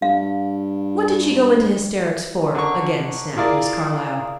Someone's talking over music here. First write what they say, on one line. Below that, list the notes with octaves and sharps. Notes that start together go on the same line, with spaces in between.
"What did she go into hysterics for?" again snapped Miss Carlyle.
G2 F5
D3 A#4 C#5 C#6
E4 F4 G#4 A#4 D5